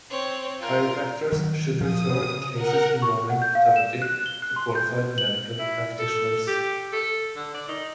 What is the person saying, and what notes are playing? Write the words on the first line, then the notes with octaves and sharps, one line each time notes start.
Chiropractors should refer cases involving pathology to qualified medical practitioners.
C4 C#5
F4 A#4
D#3 F#3
A#2 F3 D#6
C#3
A#4 F#5
C#6
F#5
G6
F5
E7
F#6
G7
F#6
C6
G6
B4
F#7
E4
A4
G4
A4
D3
D5
D#4